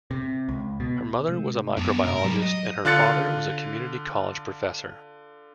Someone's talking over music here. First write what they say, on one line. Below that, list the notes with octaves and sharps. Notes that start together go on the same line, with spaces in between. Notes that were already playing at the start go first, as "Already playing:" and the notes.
Her mother was a microbiologist and her father was a community college professor.
C3
C#2
B2
C3 G#3 A3
F#2 B3 D4
G#2 C3 A#4 A#5
G#2 F#3 G3
D#5
D3 F4 F#6 A6 C#7